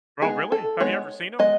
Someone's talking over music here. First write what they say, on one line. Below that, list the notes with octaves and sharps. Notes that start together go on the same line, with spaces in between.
Oh, really? Have you ever seen 'em?
G#3 B3 D#4 G#4
A4
G#3 B3 D#4 C#5
G#3 B3 D#5